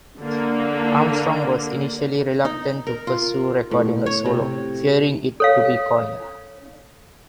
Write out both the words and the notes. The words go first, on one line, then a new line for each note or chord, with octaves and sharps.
Armstrong was initially reluctant to pursue recording a solo, fearing it to be corny.
D3 A#3
D#4
A#4
F4
A2
C#5
C3
A4 C#5 F5